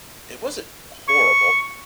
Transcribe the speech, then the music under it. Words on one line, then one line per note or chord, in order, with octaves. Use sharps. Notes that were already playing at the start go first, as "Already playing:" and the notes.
It wasn't horrible.
C#6